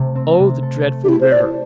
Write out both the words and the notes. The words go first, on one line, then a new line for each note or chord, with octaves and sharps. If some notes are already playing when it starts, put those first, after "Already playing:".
Oh, the dreadful river!'
Already playing: C3 A3
C4
C3
A4
A3
G4
A3 E4
C5
A3 D5